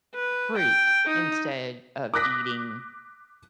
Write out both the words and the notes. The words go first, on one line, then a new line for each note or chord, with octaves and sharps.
fruit instead of eating
B4
G5
D#4
D6 D#6 F#6 A#6 B6